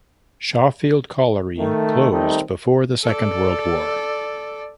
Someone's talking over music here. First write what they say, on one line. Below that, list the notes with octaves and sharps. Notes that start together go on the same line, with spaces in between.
Shawfield Colliery closed before the Second World War.
D#3 A3
D#3 G3 A3 C4 D#4
A4 D5